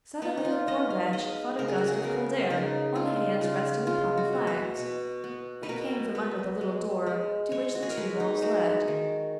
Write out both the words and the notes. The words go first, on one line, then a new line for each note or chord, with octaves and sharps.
Suddenly the poor wretch felt a gust of cold air on the hands resting upon the flags; it came from under the little door to which the two walls led.
B3 D#4
D#4
F4
B3 D#5
F5
G#3 D#5
C#3 A#4
G#4
F#4
G#4
B3 A#4
C#3 D#4
G#3 F4
C#3 F4
G#3 F4
F#4
B2
F#4
B2
B3
B4
B2 A#4
B3 B4
G#3
G#3
G#3 C#5
F#4
G#4
A#4
G#3 B4
D#4
G#3 F#4
D#3